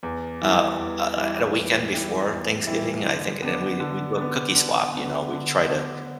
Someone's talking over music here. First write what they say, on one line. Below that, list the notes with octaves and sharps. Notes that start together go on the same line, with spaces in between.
uh, uh, at a weekend before Thanksgiving, I think, and we we do a cookie swap, you know? We try to
E2
E3 G3 E4
E2
E3 G3 E4
E2
E3 G3 E4
E2
E3 G3 E4
D3
B3 D4
D3
B3 D4
D3
B3 D4
D3
B3 D4